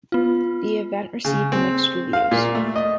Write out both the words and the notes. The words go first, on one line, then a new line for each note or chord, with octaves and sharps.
The event received mixed reviews.
B3 F4
C#3
C4
F5
A#2
A3
D#5